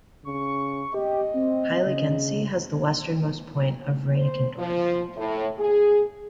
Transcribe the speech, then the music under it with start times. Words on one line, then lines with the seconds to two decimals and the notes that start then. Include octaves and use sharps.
Heiligensee has the westernmost point of Reinickendorf.
0.25 C#3 C#6
0.94 G4 D#5
1.34 C4
1.86 C#3
4.16 C5
4.58 F3
5.16 A2
5.58 G#4